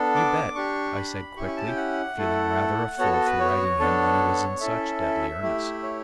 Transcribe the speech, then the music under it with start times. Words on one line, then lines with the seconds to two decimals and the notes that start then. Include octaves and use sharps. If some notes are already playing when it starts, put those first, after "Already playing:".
"You bet!" I said quickly, feeling rather a fool for ragging him when he was in such deadly earnest.
Already playing: B3 D4 A4
0.15 D6
0.55 D4 G4 C#6
0.96 B5
1.36 C#4 E4 G4 C#6
1.47 C#6
1.57 A5
1.67 G5
1.77 F#5
2.17 A3 E4 A4
2.99 B3 F#4 A4 C#5
3.12 A4
3.25 B4
3.40 C#5
3.80 B3 D4 A4
4.60 C#4 E4 A4 E5
5.02 E5
5.42 A3 E4 G4
5.83 C#5